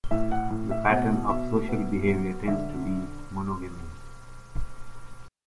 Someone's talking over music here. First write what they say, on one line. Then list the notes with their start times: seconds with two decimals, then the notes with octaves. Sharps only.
The pattern of social behaviour tends to be monogamy.
0.11 A2 E5
0.31 F#5
0.50 A2
0.71 E5
0.90 B2 F#5
1.29 B2 E5
1.69 B3
2.08 F#3
2.48 D3 E5
2.86 D3